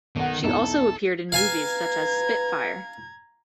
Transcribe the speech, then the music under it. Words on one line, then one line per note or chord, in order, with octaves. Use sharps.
She also appeared in movies such as "Spit Fire".
B1 D#3 F#5
B1 E2 D#4 A4
B4 F5 G#5 A#5 G#6